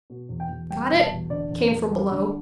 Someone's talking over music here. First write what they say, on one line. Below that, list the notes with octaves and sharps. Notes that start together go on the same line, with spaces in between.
"Got it?" came from below.
B2
E2
G5
E2
G3 G5
B2
A5
E2
D3 D5
E2
E2
G3
D3